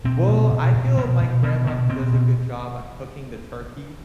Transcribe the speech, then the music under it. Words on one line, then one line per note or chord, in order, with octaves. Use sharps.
Well, I feel my grandma does a good job at cooking the turkey
B2 C4
B2
B2
B2
B2
B2
B2
B2
B2 C4
B2